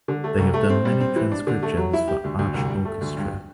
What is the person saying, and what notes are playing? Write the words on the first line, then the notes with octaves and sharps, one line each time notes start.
They have done many transcriptions for Arch Orchestra.
D3
A3
C2
A3
C4
G3
C4
E3
D4
D3
A3
F#3
E4
G4
D2
D2
C2
G3
A3
D2
G2